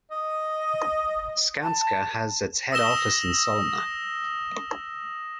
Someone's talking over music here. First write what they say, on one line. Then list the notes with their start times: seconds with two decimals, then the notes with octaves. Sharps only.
Skanska has its head office in Solna.
0.11 D#5
1.61 A5
2.72 D#6 E6 A#6 E7 G7